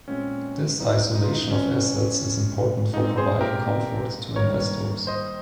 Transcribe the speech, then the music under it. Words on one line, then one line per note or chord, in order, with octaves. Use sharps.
This isolation of assets is important for providing comfort to investors.
A#2 G#3 C4 C#4
D#4
D#4
F4
D#4
C#3 F3 C4 C#4
A#2 G#3 C4 D#4
G#4 C5
G4 A#4
D#3 G3 A#3 A#4 C#5
C5 D#5